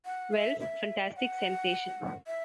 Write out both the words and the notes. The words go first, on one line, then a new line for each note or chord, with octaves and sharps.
Wells' Fantastic Sensation.
F#5
E5
E5
F#5
E5